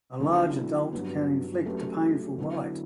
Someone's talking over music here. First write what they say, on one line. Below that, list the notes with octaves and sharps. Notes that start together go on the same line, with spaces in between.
A large adult can inflict a painful bite.
D3 F#3 B3 E4
G2 F#3 B3
F#3 A3 C#4 G4 B4
D3 F#3 B3 E4